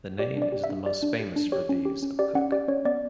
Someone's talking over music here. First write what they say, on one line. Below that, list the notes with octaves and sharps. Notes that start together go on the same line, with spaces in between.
The name is the most famous for these of Cook.
G4 D5
D4
D5
G4
E5
D4
G4 D5
D4
G4
D4
G4 C#5
C#4
G4
C#4
G4 D5
C#4 F#5
G4 D5
C#4 C#5
B3 D5